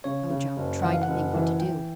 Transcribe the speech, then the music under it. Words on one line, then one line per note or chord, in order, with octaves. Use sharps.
Ojo tried to think what to do.
C#3 C#5
C#3
F#1
E3 F#5
F5
F#5
F#1
E3
E3 G5